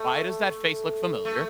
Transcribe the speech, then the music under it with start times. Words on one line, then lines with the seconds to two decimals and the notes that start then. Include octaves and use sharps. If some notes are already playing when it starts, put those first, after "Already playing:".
"Why does that face look familiar?"
Already playing: A3
1.25 A3